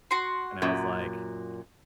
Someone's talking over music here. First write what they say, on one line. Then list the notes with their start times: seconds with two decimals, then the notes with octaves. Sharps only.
and I was like,
0.11 F#4 C6
0.62 F#2 A#2